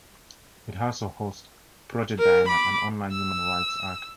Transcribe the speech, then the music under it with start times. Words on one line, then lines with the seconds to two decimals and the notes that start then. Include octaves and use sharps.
It also hosts "Project Diana: An Online Human Rights Archive".
2.18 A#4
2.48 B5 D6
3.12 E6